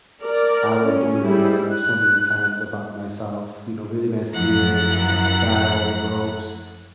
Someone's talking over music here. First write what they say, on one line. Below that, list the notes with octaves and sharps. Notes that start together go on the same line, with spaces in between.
I would do it again so many times. I bought myself, you know, really nice gears, uh, saddle, ropes,
A#4 D5
C#4
G3 E4 G#4
F#6
F#2 F3 F#3 E4 F#5 A#5